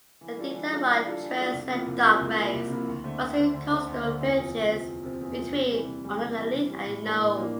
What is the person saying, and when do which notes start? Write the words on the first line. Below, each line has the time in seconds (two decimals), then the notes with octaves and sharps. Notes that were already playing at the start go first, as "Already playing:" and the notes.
The Iditarod Trail Sled Dog Race runs through coastal villages between Unalakleet and Nome.
0.21 E3
0.37 G3 D4 F4 A4
0.53 E3
0.70 G3 D4 F4 A4
0.88 E3
1.04 G3 D4 F4 A4
1.20 E3
1.37 G3 D4 F4 A4
1.53 C2
1.70 C3 F3 A#3 E4
1.87 C2
2.04 C3 F3 A#3 E4
2.21 C2
2.37 C3 F3 A#3 E4
2.54 C2
2.70 C3 F3 A#3 E4
2.88 D2
3.04 D3 A3 C4
3.20 D2
3.37 D3 A3 C4
3.54 D2
3.71 D3 A3 C4
3.87 D2
4.03 D3 A3 C4
4.21 E2
4.36 C3 F3 C4
4.54 E2
4.71 C3 F3 C4
4.86 E2
5.03 C3 F3 C4
5.21 E2
5.37 C3 F3 C4
5.54 C3
5.70 E3 G3
5.87 C3
6.04 E3 G3
6.21 C3
6.37 E3 G3
6.54 C3
6.70 E3 G3
6.87 A2
7.03 E3 G3 A#3 D4
7.20 A2
7.37 E3 G3 A#3 D4